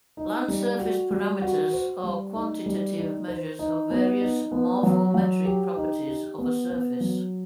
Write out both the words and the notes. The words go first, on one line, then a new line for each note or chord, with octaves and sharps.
Land surface parameters are quantitative measures of various morphometric properties of a surface.
D#4
G3
F#4
G3
F#4
C5
G3
D#4
G3
D#4
C5
D#4
B3
D#4
B3
F#3
F#3
G4
D#4
G4
B3
B3
F#3